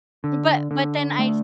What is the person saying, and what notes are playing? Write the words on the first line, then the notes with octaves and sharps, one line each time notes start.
but but then I
D3
D3
A3